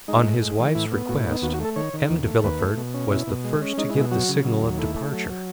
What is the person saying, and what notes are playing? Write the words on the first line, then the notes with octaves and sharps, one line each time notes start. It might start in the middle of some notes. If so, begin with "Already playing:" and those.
On his wife's request, M. de Villefort was the first to give the signal of departure.
G#3 D#4
A2
G#3
E3
A2 E4
B3
A2 F#4
E4
B3
D#4
D#2 F#4
F#4
A3 A4
D#3 C#5
D#3
D#2
A3
D#2 B4
A3
B2
C#4
B2 E4
B2
G#3
C#4
G#3 D#4
E4
B2
E4
F#3 F#4
C#3
F#3
D#2
A3 E4
A3
F#3
F#3